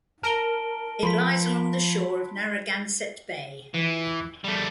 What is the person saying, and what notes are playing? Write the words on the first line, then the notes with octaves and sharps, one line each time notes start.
It lies along the shore of Narragansett Bay.
A#4 A5 D7 G7
F3 B5 C6 B6
E3
G3 A3